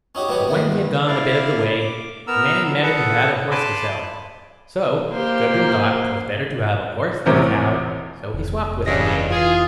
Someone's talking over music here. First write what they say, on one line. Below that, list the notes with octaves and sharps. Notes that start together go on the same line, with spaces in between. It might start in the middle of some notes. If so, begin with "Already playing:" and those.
But when he had gone a bit of the way, a man met him who had a horse to sell, so Gudbrand thought 'twas better to have a horse than a cow, so he swopped with the man.
C#4 D#4 F#4 G4
B2 F#3 B3 G4 F#5
D#3 E3 B3
G2
E4 D5 F5
D6
B3 A#4 A#5 E6
G#4 A4 B4 F#5
G#5 A5 B5 C6 D6
A#3 G4 C5
A1 E2 C3 C#4 A#4
F1 F2 B2
G2 C#3 E3 D#5 A#6
E3 F4 G#4